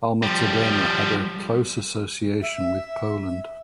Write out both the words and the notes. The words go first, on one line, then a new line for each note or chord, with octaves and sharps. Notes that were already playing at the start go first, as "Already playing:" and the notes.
Alma Tadema had a close association with Poland.
F3 G3
E5